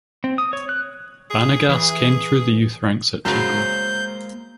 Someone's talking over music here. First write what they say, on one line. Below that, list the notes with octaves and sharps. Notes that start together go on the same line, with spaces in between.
Banegas came through the youth ranks at Tigre.
C4
D#6
C#5
F#6
G#4
E3 G#4
F#2 C#3 F#3 G#3 A#3 C5 G6